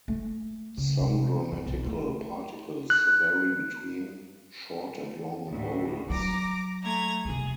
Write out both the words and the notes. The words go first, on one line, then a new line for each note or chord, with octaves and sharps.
Some grammatical particles vary between short and long vowels.
A3
C#3
C3
F#2
B1
A3
F#6
D2 A2
F#3 A#5 D6
A3 A#5 G#6
F2 C3 G#4